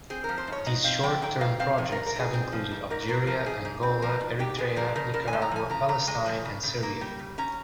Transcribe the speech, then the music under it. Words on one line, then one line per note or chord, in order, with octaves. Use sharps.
These short-term projects have included Algeria, Angola, Eritrea, Nicaragua, Palestine and Serbia.
C4 G#4
A#4
F3
C5
G#2
C#5
G#2 D#5
C4 F5
F3 G5
G#2 G5
G#2 F5
C4 F5
F3 G#4
A#4
G#2
A#4
G#2 G#4
C4
F3
G#2
G#2 A#4
C4 A#4
F3 A#4
G#2 G#4
G#2
C4
F3 A#4
G#2
G#2 G4
G#3 G#4
F3 A#4
C#3 A#4
C#3 A#4
G#5
G#3
A#5
F3 G#5
C#3 A#5
C#3 A#5
G#3 G#5
F3
C#3
C#3
A#3
G3
C#3
C#4 A#5